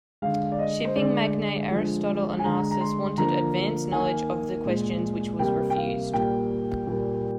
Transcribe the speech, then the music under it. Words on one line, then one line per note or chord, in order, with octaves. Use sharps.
Shipping magnate Aristotle Onassis wanted advance knowledge of the questions which was refused.
D3 G#3 F5
D5
D#5
C5
D3 G#3 D5
D3 F3 G#3
G#5
D3 G#3 A#5
A#5
C6
D3 F3 A#3 A#5
D#3 A#3 G#5
A#2 G#3
C3 G3 A#3 G5
G5
F5
A#2 G3 A#3 G5
A#2 G3 A#3